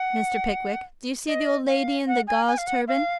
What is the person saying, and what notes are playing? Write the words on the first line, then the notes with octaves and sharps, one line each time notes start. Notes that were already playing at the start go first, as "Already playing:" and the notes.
Mr. Pickwick, do you see the old lady in the gauze turban?'
Already playing: F#5
D#5
F5
F#5
G#5
G#5
F5
F#5
F5